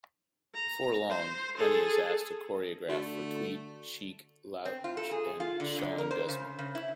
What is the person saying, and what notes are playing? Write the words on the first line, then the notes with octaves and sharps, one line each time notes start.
Before long, Honey is asked to choreograph for Tweet, Sheek Louch, and Shawn Desman.
A#5
C5
G#4 A4
D3 A3 F#4
C4
F4
A4
G#4
F4
D3
D3
A#4
C5
C#3
C#3
E4